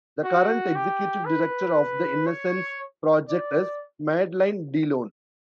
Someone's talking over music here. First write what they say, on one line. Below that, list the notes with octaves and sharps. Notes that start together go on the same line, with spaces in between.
The current executive director of the Innocence Project is Madeline deLone.
F#4
G4
B4
C#5
D5